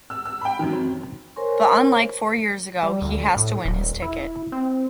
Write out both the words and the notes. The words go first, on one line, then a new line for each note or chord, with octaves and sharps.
But unlike four years ago, he has to win his ticket.
E6
E6
G5 B5
F#2 D#3
F#3 C4
A#4 C5 C#5 G#5 C6 C#6
G3
D2
A2
D#1
E4
C4